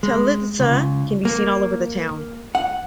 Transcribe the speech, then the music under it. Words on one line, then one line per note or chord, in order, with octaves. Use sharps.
Ptylitza can be seen all over the town.
G#3
C#2
A#3
F#5